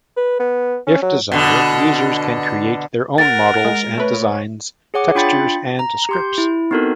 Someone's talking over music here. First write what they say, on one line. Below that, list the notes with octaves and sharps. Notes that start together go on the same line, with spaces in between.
If desired, users can create their own models and designs, textures, and scripts.
B4
B3
C#4
F#3
B2 D3
A#4 F#5 A6
G#3
A3 B4 C#5
G#4 C#5 F#5 D6
D4 F4 G5 B5 A6 C#7
A#5
G4 C6 G6
E4
B3 C4 D#4 F#4 A4 A#4